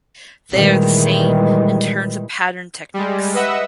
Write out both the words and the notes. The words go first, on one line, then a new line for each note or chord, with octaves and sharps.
They are the same in terms of pattern techniques.
A#2 D#3 E3 G3 G#3
G3 G#3
B4 D#5 E5 F#5 E6